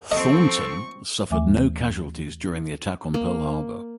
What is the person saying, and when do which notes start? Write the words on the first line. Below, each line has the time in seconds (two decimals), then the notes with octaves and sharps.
"Thornton" suffered no casualties during the attack on Pearl Harbor.
0.12 F3 C4 A4 D#5 C#6
1.30 D#2 E3 A3 E5 G#5 D6
3.14 A#3